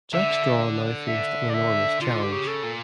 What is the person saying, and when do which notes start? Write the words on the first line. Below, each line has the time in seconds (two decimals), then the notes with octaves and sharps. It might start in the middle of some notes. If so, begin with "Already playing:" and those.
Jack Straw now faced an enormous challenge.
0.13 D3 E5
1.07 E5
1.50 D5
1.54 E5
2.00 D3 F4
2.24 G4
2.32 C#3
2.47 A4
2.63 A#2